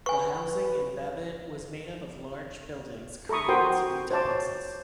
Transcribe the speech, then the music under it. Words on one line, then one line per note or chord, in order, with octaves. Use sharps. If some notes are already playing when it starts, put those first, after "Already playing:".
The housing in Babbitt was made up of large buildings created to be duplexes.
B4 G#5 C#6
A4 A#5 B5 C#6 D#6
F#4 A#4 C5 G5 C6 D#6
C5 C#5 A5 D6